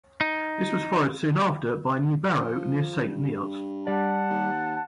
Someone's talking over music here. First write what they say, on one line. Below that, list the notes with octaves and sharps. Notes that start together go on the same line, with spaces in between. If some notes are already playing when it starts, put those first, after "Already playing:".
This was followed soon after by a new barrow near Saint Neots.
D#4
F3
G2
G3 D5 F#5 A5
D#2